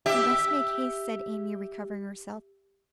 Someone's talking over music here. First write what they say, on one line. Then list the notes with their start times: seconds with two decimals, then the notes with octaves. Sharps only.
'We must make haste,' said Amy, recovering herself.
0.06 G4 E5